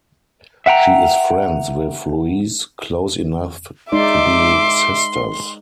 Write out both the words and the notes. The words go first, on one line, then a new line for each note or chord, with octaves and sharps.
She is friends with Louise, close enough to be sisters.
E5 F#5 G5 A#5
G#3 D#4 D5 E5 C6 D6